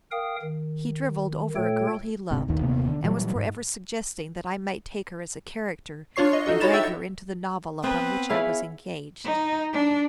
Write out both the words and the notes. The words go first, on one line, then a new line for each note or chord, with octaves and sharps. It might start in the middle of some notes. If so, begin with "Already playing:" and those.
He drivelled over a girl he loved, and was forever suggesting that I might take her as a character and drag her into the novel upon which I was engaged.
A#4 F5 G5 D#6
D#3
A#2 A3 A4 C#5 G5
E1 G#2 C3
D1 A1 D#2 D#3
D#1 C3 A#3 B3
D3
A#2 E3 F#3 G3
G#2
D4 F4 C#5 C#6 C7
D#5
D#4 F#4 A4 D#5
F#4 C#5 B5 A6 E7
E5 G5 E6
B3 C4 B4
E4 G#4 C#5 F5
D#4
D4